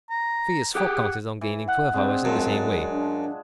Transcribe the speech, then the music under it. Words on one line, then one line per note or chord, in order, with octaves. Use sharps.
Phileas Fogg counted on gaining twelve hours in the same way.
A#5
G4 G#4 F#5 G5
E3
F#5 F#6
G#3 C4 D4 C5
F#2 G#3 F4 A5
D4